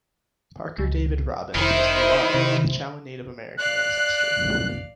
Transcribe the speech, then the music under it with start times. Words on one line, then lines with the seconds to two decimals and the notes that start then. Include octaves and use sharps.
Parker David Robbins was Mulatto with Chowan Native American ancestry.
0.78 C#2
1.55 F1 D#3 E4 C5
2.34 C3
3.58 D5 F5 F#6